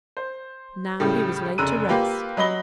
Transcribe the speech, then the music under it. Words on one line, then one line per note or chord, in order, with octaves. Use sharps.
Now he was laid to rest.
C5
A2 C#3 G3
F1 C#3 A#5 E6 F#6 D#7
A#3 F4 G4 B4
F#3 D#5 B5 A#6 G7